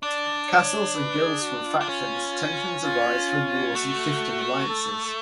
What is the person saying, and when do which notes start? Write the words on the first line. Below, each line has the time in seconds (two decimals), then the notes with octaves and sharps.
Castles and Guilds form factions; tensions arise from wars and shifting alliances.
0.02 D4 D5
0.49 C#5
0.95 B4
1.19 G#4
1.42 F#4
1.66 F4
1.81 D4
1.89 C#4
2.82 F4
3.75 A3 F#4
4.68 A4